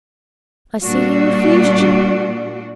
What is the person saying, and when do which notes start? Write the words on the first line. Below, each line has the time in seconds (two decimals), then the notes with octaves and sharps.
"I see he refused you."
0.82 A#2 G3 D4 F#4